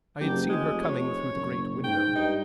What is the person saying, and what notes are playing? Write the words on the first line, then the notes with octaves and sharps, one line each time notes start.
I had seen her coming through the great window.
F#1 G4
F1 G#3
C#5
F#1
G#2 G5
G2 D#4